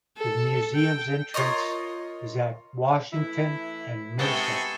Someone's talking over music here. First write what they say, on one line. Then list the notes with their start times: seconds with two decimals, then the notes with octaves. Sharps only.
The museum's entrance is at Washington and Mason.
0.17 A4
0.75 G5
1.34 F4 A#4 C#5 D#5
3.12 E3 A3 E4
4.19 G#2 C3 B3 F#4 G#4 A4 G5